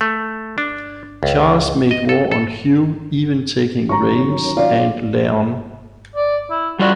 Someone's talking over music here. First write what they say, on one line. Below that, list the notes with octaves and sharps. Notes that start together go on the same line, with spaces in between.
Charles made war on Hugh, even taking Rheims and Laon.
A3
D4
C#2
D#5
A4
A4
D#3 F#3 C#4 A#5 C#6
F4 D5 F5
D5
E4
G3 F4 F#4 D5